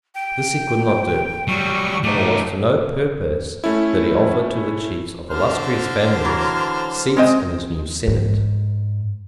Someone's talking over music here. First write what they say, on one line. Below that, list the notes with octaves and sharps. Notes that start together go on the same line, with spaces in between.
This he could not do; and it was to no purpose that he offered to the chiefs of illustrious families seats in his new senate.
G5
F#3 G3 C#6
A3 D#4 D6
A3 C#4 E4
D3 C5 F6
E3 F#3
G#3 C4 D#5
G#2